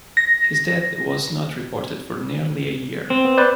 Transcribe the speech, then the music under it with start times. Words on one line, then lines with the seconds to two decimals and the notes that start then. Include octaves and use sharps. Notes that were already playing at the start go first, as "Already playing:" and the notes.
His death was not reported for nearly a year.
0.17 A#6
3.10 C4
3.25 B3
3.38 B4 C5 D5